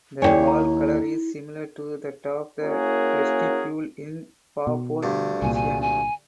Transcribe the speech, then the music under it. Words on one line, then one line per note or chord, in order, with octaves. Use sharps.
The wall colour is similar to that of the vestibule in Faaborg Museum.
D#2 C3 E4 C#5 D5 G5 G#5
A#5
A#3 C#4 E4 F#4 G#4 A#4
B2
D2 G2
C2 A#2 G#5
G#5
G#5